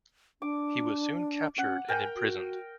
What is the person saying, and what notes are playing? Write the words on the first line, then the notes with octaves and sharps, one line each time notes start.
He was soon captured and imprisoned.
D4 D6
C#4 F#5
A#4 G5 G#5
F#4